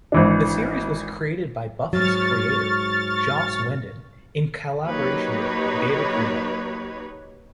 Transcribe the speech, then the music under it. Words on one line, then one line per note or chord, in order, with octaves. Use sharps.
The series was created by "Buffy"'s creator Joss Whedon in collaboration with David Greenwalt.
G#1 E3 D4
G#2 F#3 C#6 F6 A6
F#3 A#3 D#4 G4 B4 C#5